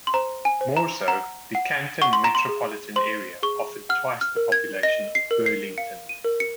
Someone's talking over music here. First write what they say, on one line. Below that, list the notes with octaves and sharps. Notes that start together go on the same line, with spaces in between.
More so, the Canton metropolitan area offered twice the population of Burlington.
C6
C5 A#5
G#5
C5
A#5
F#5 A#5
F#5
F#5 C#6
C6
A#5
C6
G#4
C5 C6
G#4 C#6
F#5 F6
F6
A#4
G#6
D#5 A#6
C7
A#4
C7
F5 C#7
D#7
A#4
C#7